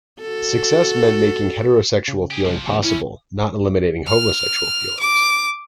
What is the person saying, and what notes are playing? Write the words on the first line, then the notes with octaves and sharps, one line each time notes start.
Success meant making heterosexual feeling possible, not eliminating homosexual feelings.
F#4 A4
C#3
G4 G#4
C2 A#2 F3 G#3
D#2 C#3 B3
G3 C#4 E4
F6
D6